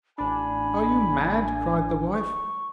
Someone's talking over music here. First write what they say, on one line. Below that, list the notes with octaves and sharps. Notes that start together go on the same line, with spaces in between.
'Are you mad?' cried the wife.
A1 D4 G#5 B5
C#6